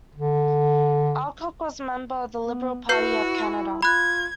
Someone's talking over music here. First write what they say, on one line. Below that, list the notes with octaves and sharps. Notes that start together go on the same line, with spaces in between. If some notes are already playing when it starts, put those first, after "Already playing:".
Alcock was a member of the Liberal Party of Canada.
D3
B3
E4 F#4 B4 G6 C7
F4 B5 F#6 G#6